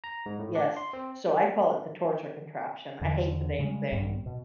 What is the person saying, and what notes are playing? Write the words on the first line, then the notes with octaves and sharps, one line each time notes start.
Yes, so I call it the torture contraption. I hate the dang thing,
A#5
G#2
A2
D4
C6
C4
E2 D3 D#3
C#3 G3 G#3
A#1 G2 G3 B3
B2